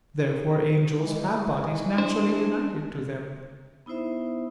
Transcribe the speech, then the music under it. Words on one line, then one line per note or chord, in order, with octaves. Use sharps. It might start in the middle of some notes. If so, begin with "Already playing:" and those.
Therefore angels have bodies naturally united to them.
E3 G#3
D4 C5
B3 D#4 E4 C5 E5